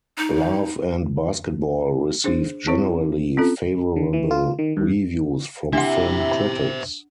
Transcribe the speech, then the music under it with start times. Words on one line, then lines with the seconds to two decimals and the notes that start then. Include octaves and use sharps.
"Love and Basketball" received generally favorable reviews from film critics.
0.17 D#4
2.24 D4 G#4 C5
2.67 C4 E4 C#5
3.37 C4 C#4 F4 A4
3.96 D3
4.13 E3
4.31 F4
4.59 D#3
4.77 G2
5.73 C3 D4 E4 C5 E5 F#5